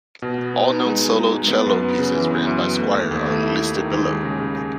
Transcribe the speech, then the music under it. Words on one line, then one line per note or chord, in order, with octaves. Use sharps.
All known solo cello pieces written by Squire are listed below.
B2
B3
B3
D#4
G#3
G#3
D#4
G#3
B3
F#2
B3
C#3
E3
B3
F#2
B3
A3
D#2
D#2
A3
E4
E4
D#3
D#2
G#3
C#3
C#3
C#3